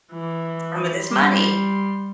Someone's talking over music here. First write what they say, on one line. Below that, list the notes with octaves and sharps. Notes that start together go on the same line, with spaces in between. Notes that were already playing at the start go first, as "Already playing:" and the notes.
some of this money
E3
G3 C6